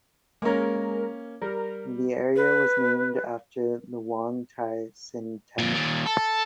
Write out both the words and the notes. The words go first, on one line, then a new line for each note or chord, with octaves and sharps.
The area was named after the Wong Tai Sin Temple.
G#3 A#3 C#4 A#4
G3 A#4
B4
F2 A#2
D#2 A#2
A4